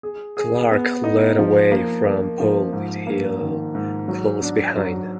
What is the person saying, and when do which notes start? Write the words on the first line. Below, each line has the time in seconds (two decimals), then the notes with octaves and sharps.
Clark led away from pole with Hill close behind.
0.03 G#4
0.37 G#4
0.71 B3
1.04 D#4
1.39 F3
1.72 A#3
2.06 A#3
2.40 F3
2.73 G#2
3.07 A#3
3.40 D#3
3.75 G#2
4.08 F#3
4.42 D4
4.76 F#3